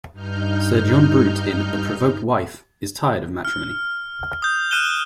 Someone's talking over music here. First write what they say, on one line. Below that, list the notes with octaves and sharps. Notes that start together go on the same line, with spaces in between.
Sir John Brute in "The Provoked Wife" is tired of matrimony.
G2 D#4 F6 G6
F6
D#6 G6
F6 F#6 D#7 E7 G7